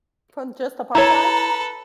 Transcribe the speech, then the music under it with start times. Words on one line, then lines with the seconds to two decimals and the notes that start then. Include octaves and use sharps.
From just a part-time? uh
0.95 E4 A4 B4 C#5 A#5